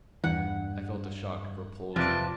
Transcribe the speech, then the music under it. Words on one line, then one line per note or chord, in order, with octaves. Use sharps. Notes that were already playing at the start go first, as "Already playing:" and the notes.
I felt a shock of repulsion.
E2 G2 F#5
F2 C3 F3 F4 B4 D5 A5